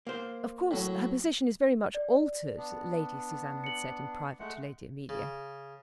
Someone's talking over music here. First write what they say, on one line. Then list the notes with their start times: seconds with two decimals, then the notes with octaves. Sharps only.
"Of course her position is very much altered," Lady Susanna had said in private to Lady Amelia.
0.07 A#3 C5
0.71 A2 F#3
1.95 D5
2.57 B3 D4
3.64 C#7 F#7
4.39 G#3 A3 F#5
5.09 C#3